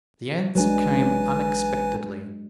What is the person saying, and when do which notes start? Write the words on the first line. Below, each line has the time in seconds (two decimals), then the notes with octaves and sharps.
The answer came unexpectedly.
0.55 A1 F#3 G#3 D4 B4 G#5